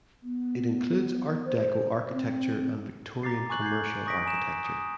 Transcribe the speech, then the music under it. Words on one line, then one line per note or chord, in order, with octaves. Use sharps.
It includes Art Deco architecture and Victorian commercial architecture.
B3
C5
C4
A#5 D6 A6 C7
G#5 C#6 D6 F#6 F#7
G6 G#6 C7
C#6 D#6 A#6 B6 D7
G#5 A#5 E7
D#6